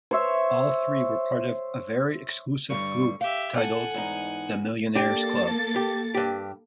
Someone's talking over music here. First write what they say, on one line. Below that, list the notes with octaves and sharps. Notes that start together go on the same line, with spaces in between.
All three were part of a very exclusive group titled "the Millionaires' Club".
C5 C#5 E5
G2 D3 G3 C#6
G4 E5 F5
A4 F#5 G#5
E2 G#2 D#4
A#3 D4 G4 A4 G5 A6
G4
G2 G4